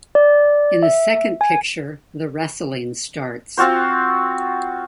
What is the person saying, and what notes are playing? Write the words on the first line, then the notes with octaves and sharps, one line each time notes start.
In the second picture the wrestling starts.
D5
E5
G#5
C4 F4 F#4 C5